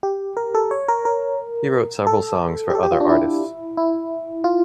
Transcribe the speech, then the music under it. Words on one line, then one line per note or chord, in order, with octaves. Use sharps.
He wrote several songs for other artists.
G4
A#4
A4
C#5
A#4
A#4
A4
G4
A4
G4
F4
D4
E4
E4
F4